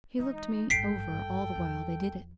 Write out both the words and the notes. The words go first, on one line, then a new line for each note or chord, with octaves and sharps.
He looked me over all the while they did it.
E3 G#3 D#4
G#1 G2 A4 G5 B6 C7 D7
E2 F3